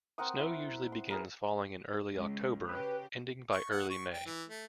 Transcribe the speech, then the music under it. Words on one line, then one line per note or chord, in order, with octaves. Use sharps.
Snow usually begins falling in early October, ending by early May.
C4 A#4 F#5 D#6
E4
C6
G#4 A#4 B4
C#2
C#3 G4 B4
C#6
F#5
C#6
G5
E3
A3